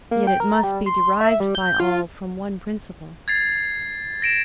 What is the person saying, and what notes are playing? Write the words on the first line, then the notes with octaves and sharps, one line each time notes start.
Yet it must be derived by all from one principle.
A#3
G5
A#4
G3
C6
E5
G3
G6
F4
G#6 A6 C7
A#6 D7 E7